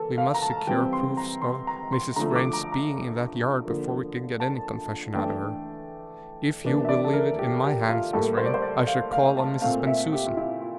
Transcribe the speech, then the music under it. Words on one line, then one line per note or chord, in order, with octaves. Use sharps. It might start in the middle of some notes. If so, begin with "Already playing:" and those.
"We must secure proofs of Mrs. Vrain's being in that yard before we can get any confession out of her. If you will leave it in my hands, Miss Vrain, I shall call on Mrs. Bensusan."
Already playing: E3 A#3 A4
F5
A#5
A5
E3 G3 C4 G5
C6
A#5
C6
A#5
C6
D3 F3 A3 A#5
D6
A#5
A#5
D3 F3 A#3
A5
E3 A3 D4 G5
E3 A#3 D4
E5
D5
A4
A#4
G4
G4
F4
A2 G3 A#3 A4
C5
D5
C5
D5
F5
F5
A5
A#2 A3 C4 F5
E5
G4
F4
E4
F4